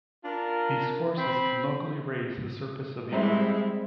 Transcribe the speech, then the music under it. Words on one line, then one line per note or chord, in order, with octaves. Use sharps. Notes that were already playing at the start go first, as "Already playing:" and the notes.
These forces can locally raise the surface of the earth.
D4 F4 A#4
C4 B5
G3 G#3 C4 E4